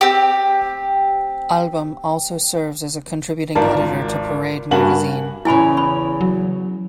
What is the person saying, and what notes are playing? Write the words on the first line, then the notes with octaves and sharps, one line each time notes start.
Albom also serves as a contributing editor to "Parade" magazine.
C4 G4
G#1 F4 A#4 D5 A5
G2 A#3 F#4 G#5 F#7
E2 C#3 E4 G#5 B5
B5
F#3